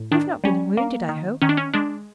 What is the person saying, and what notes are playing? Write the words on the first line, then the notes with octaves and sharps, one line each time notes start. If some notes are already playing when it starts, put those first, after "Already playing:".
"You have not been wounded, I hope?"
Already playing: A2
D#3 D4
G3 C#4
A#3
D#3
D#3 C#4
D4
C#4
G#3 D4